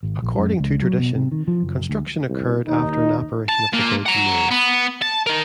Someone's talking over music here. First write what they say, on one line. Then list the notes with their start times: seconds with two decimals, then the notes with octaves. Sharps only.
According to tradition, construction occurred after an apparition of the Virgin Mary.
0.03 G#1
0.22 A#1
0.39 F#2
0.60 C#2
0.82 F#3
0.99 B2
1.15 C3
1.32 D#3
1.48 F3
1.62 F#1
1.89 D2
2.29 C2
2.68 D#2 D#4
3.49 A5
3.73 A#2 A#3
4.06 F#5 A#5
4.51 B3
5.02 A5
5.26 D#4 A#4